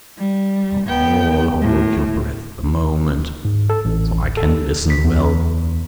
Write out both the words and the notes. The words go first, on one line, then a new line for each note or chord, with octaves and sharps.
Now all hold your breath a moment so I can listen well.
G3
B3 G5
A2
G#2
A4
A1
A4
B6
E2